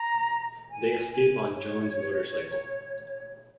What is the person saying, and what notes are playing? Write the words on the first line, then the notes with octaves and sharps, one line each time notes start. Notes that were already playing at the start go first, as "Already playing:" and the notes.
They escape on John's motorcycle.
Already playing: A#5
G#5
G#5
C#5